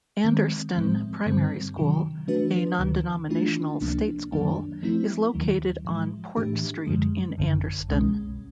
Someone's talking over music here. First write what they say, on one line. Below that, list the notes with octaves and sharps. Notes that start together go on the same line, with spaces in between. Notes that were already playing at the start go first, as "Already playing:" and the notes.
Anderston Primary School, a non-denominational state school, is located on Port Street in Anderston.
D#3 G#3 C4
A2 F3 G#3 C4
G2 D3 G3 C4
C3 D#3 F#3
E3 A3 D4 F#4 B4
D2 C3 D#3
E3 A3 D4 F4
C#2 C3 F3 A#3 D4
F#2 D#3 F#3 A#3 D4
F3 A3 C4 E4
D#2 D#3 F#3
A2 F3 G#3
A2 E3 A3 D4 G4
F#2 D3 F3 G#3
G#1 F#2 D3
C2 B2 G#3 C#4